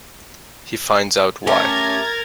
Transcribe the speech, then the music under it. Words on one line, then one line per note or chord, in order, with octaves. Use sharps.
He finds out why.
A3 C#4 G4 A#4 A#5 G#6 A6